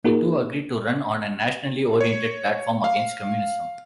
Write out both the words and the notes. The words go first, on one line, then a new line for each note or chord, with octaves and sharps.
The two agreed to run on a "nationally oriented" platform, against communism.
A#3 D#4 F4 F#4 G#4 A#4
C#5
F5